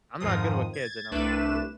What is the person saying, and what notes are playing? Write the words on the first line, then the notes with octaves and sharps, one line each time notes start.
I'm not good with kids," and I'm like
F2 G#2 D#3 F3 D#6
G#6 A6
C2 A3 D4 B4 E7